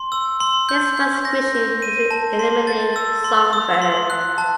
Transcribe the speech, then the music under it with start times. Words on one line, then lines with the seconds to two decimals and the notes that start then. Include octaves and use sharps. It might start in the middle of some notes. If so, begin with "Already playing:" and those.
His first mission is to eliminate Songbird.
Already playing: C6
0.12 E6
0.40 C6
0.69 G6
0.97 G6
1.25 A#6
1.54 G6
1.82 D#7
2.11 A5
2.39 C6
2.67 A6
2.96 E6
3.24 C6
3.53 D#6
3.82 C6
4.10 F#6
4.38 A5